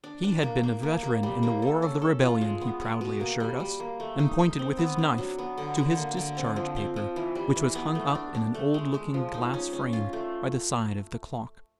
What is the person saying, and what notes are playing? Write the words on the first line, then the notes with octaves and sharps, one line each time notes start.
He had been a veteran in the War of the Rebellion, he proudly assured us, and pointed with his knife to his discharge-paper, which was hung up in an old looking-glass frame by the side of the clock.
D4
D4
A#3
A#3
A#3
A#3
G3
A#3
A4
C#4
A4
F4
G#3
B3
G#3
B2
A#3
G3
G3
A#3
A3
D#4
D#4
C4
B3
D4
F#3
B3
D3
D3
A#3
D3
C4
F3
C4
F3
E3
G3
E3
B3
A3
D4
D4
A3
G#3
G#3
F3
D#4
C#4
C#4
F4
A3